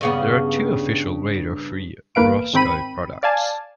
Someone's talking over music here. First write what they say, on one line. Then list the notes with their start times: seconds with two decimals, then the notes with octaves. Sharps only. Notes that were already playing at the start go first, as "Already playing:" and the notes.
There are two official "Radio Free Roscoe" products.
0.01 G2 C#3 B3
2.15 G1 E2 A#3 B4 F5 D7
2.53 G#2 D#3 C4 G5 B5 D#7
3.23 D5 F5 G#5 A5